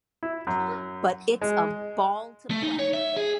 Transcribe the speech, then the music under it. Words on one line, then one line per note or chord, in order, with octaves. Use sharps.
But it's a ball to play.
E4
F#2
G#3
A3
D#4
C#5
E5
G#4